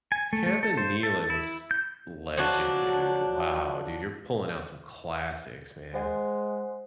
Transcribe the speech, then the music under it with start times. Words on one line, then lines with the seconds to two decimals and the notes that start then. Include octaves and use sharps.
Kevin Nealon was legend, dude. Wow, dude, you're pulling out some classics, man.
0.12 G#5
0.33 A3
0.46 A3
0.63 A4
0.77 C5
1.03 A4
1.30 E4
1.71 G6
2.37 F3 F#3 D4 F#4
5.94 G#3 C5 F#5